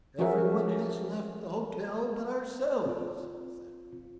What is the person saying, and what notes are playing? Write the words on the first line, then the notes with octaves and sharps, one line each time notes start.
"Everyone has left the hotel but ourselves," said he.
F3 C#4 F#4 G#4 A#4 E5
C4 F4